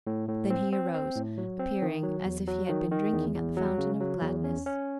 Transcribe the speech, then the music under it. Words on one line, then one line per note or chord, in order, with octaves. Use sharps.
Then he arose, appearing as if he had been drinking at the fountain of gladness.
A2
A2
C4
C4
C4
A2
F#3
C4
D#3
F#3
E2
F#3
D#3
D#3
E2
E2
F#3
C#3
F#3
E2
C#4
C#4